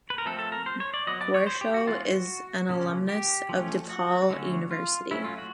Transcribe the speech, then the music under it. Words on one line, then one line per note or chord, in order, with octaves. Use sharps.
Guercio is an alumnus of DePaul University.
B4
A#4
F3 A3 C4 A4
A4
A#4
C5
C#5
D5
F#3 B3 D#5
D5
C#5
C5
G4
F#4
E3 G#3 B3 F4
F#4
C#3 F3 A#3 C#4
G4
F3 A3 C#4
F#4
D3 F#3 A3 C#4
F4
F#3 A3 C#4 E4
F4
F#4